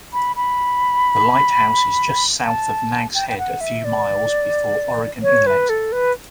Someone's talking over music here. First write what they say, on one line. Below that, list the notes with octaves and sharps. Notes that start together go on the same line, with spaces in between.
The lighthouse is just south of Nags Head, a few miles before Oregon Inlet.
B5
B5
A5
G5
G5
F#5
E5
D5
C#5
B4
A4
B4